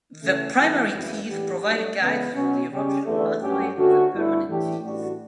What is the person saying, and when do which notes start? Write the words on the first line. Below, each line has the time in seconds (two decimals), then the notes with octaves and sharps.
The primary teeth provide guides for the eruption pathway of the permanent teeth.
0.21 C#3 E3 A3
0.56 A1 G2 E3
0.91 F#1 F#2 C#3 E3
1.27 A2 E3 B3 D4 G4
1.64 G2 F#3 A3 D4
1.99 C#2 C#3 E3 B3
2.34 B2 F#3 C#4
2.70 C#3 G3 C#4 G4
3.05 E2 D3 A3
3.41 G2 F#3 C#4 G4
3.77 D2 D3 A3 C#4 F#4
4.12 G1 G2 D3 A3 E4
4.48 A2 E3 A3 D4 G4
4.83 A1 A2 G3 D4 F#4